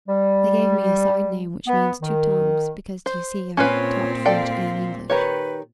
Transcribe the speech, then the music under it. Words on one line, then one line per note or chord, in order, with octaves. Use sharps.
They gave me a side-name which means "Two Tongues," because, d'ye see, I talked French and English.
G3
B3
D#3
C5
A#2 C4 C#4 F4 B4 C#5
A4 D5 F5 G5
D#3 G4 B4 C#5